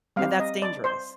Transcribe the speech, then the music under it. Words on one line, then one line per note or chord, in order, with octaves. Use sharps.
And that's dangerous.
G3 C4 G4 F5
D#5
D5
C5